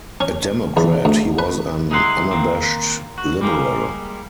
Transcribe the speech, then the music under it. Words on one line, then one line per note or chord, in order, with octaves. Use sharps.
A Democrat, he was an unabashed liberal.
C#4
E2
D2
B4
C2 G#3 D#4 E4 F#5 C6
D#3 A#3 C4
F#4
G3 G#3 A#3